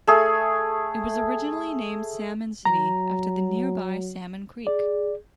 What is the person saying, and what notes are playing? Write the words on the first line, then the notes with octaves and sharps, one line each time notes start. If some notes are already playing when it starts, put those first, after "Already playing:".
It was originally named Salmon City after the nearby Salmon Creek.
A3 G#4
F#3 A#5
G#4 D5